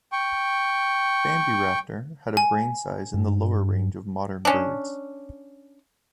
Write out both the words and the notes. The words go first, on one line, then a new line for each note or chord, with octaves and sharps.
"Bambiraptor" had a brain size in the lower range of modern birds.
G5 C#6
G#5
G2
C#4 D4